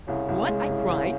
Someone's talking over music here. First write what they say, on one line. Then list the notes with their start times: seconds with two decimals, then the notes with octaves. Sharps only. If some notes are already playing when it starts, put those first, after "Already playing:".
"What!" I cried.
0.08 C2 C#3
0.28 C2
0.49 G#3
0.69 C2
0.89 C2